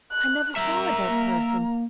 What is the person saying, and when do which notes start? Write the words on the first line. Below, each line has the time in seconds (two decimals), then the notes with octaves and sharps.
'I never saw a dead person.
0.11 F#6
0.57 A#4 E5 A#5
1.08 A#3